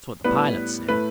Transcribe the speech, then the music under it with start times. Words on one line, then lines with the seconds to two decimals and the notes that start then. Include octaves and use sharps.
That's what the pilot said.
0.24 A2 G3 B3 B4
0.88 A2 A3 B4